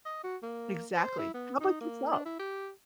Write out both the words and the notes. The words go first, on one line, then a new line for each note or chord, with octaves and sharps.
Exactly. How about yourself?
D#5
F#4
A#3
C5
E4
B3
D#4
A#3
D4
E4
G4